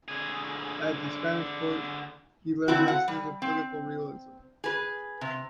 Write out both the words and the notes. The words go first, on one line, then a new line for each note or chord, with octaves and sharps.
At the Spanish court, he learned lessons of political realism.
D3 G#4
D3 C4 E4 F#4
F#5
G3
C4
G#4 B4
C3